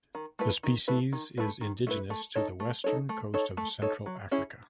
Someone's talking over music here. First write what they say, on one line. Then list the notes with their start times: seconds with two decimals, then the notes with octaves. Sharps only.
The species is indigenous to the western coast of Central Africa.
0.15 D#3
0.39 A3 E4 B4
0.63 D#3
0.88 A3 E4 B4
1.13 D#3
1.38 A3 E4 B4
1.61 D#3
1.87 A3 E4 B4
2.10 A3
2.35 D#4 A4 C#5
2.60 A3
2.84 D#4 A4 C#5
3.09 A3
3.34 D#4 A4 C#5
3.57 A3
3.82 D#4 A4 C#5
4.06 F#3
4.31 C#4 E4 G#4